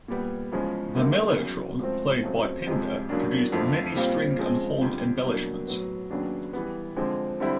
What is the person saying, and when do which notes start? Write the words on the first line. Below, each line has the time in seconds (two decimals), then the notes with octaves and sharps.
The mellotron, played by Pinder, produced many string and horn embellishments.
0.08 A#2 G3 B3
0.52 E2 C#3 F3 G#3
0.95 F#2 D3 G3 A#3 D#4
1.37 E2 C#3 F#3
1.80 G#2 F3 A3 C4
2.23 F2 C#3 F#3 A3 C4
2.67 F2 C3 F3 G#3
3.09 E2 C#3 F#3 A#3 D4
3.52 F2 D3 F3 A3 C4
3.95 A#2 G3 C4 F4
4.39 C#3 F3 G#3 C4
4.81 F2 D3 G3
5.25 B2 F#3 A#3 D4
5.67 A2 F#3 B3
6.10 D#2 C#3 F#3 B3 D4
6.53 E3 G3 B3
6.96 D3 F3 G#3 C4
7.40 D3 G3 C4 E4